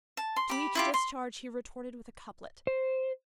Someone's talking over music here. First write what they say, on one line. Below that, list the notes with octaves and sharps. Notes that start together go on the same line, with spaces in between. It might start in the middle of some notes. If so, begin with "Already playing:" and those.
To each discharge he retorted with a couplet.
A5
C6
G4 B5
E4 F4 G4
C6
C5